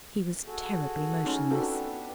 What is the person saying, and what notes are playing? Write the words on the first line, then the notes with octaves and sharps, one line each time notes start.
He was terribly motionless.
D#2
F#4 G#4 A4
C#4 D#4
B3 C4 D4 F#4 G4 A4